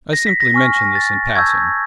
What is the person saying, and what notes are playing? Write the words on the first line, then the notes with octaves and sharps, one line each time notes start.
I simply mention this in passing.
A#6
B6
A#6
G#5 C#6 F6
A#6
A6
A5 C#6 E6 G6 G#6